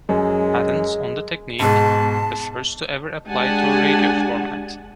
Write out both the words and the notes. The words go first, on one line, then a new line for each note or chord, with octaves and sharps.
Patents on the technique, the first to ever apply to a radio format.
F#2 G#3
G#2 B2 G#3 A5
G#3 D4 G4 F#5 G#5 A5